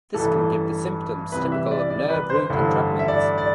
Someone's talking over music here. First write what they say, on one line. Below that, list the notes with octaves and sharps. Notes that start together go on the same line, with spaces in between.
This can give the symptoms typical of nerve root entrapment.
A1 G2 E3 A4
C2 C3 E3 B4
E5
D5
D5
B4
C5
A1 G2 D3
E5
D5
D5